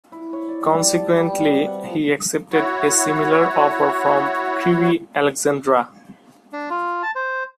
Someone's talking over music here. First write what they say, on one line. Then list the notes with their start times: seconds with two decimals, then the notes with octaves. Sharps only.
Consequently, he accepted a similar offer from Crewe Alexandra.
0.12 E4
0.33 C#5
0.48 D5
0.64 G3
0.82 D5
0.96 A5
1.17 G3
1.33 B2
1.55 C3
1.67 F#5
1.84 F3
2.52 E4 F#4 C#5
6.53 D4
6.70 F4
7.03 A5
7.15 C5